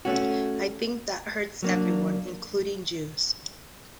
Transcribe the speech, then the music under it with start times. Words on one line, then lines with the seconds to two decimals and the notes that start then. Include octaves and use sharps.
I think that hurts everyone, including Jews.
0.05 A3 C#4 F#4
1.63 F#3 A#3 D4